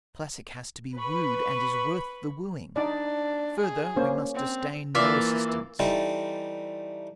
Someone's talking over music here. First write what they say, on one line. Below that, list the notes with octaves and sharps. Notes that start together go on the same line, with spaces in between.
A classic has to be wooed and is worth the wooing. Further, we must disdain no assistance.
B4 B5 C#6
D4 D#4 D5
G#4
A#3 C#4 C5
C4
E3 A#3 F4 D5 E5
E3 G3 A3 C4 D#4